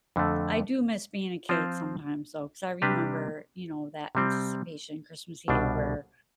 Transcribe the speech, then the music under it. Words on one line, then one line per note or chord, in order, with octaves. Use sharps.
I do miss being a kid sometimes, though, 'cause I remember, you know, that anticipation, Christmas Eve, where
F2 D3 A3
F3 C4 F4 C5
C3 G3 D4 G4 B4
C3 G3 C4
C2 B2 G3 D4